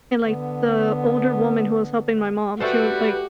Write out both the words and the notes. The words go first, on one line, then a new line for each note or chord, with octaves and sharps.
And, like, the older woman who was helping my mom, she was like
D3 B3
G3 A3 F#4 A4 B4 C5